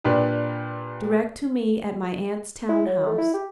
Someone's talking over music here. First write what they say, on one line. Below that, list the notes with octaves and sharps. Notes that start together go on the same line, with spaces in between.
Direct to me at my aunt's town house.
A#2 D4 G4 B4
E4
F#3
A3
E4
G4